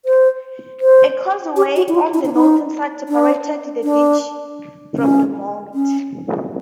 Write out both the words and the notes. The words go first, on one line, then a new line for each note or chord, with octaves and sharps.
A causeway on the northern side separated the ditch from the moat.
C5
C5
G4
F#4
E4
F4
E4
D4
D#4
D4
D4
C#4
C#4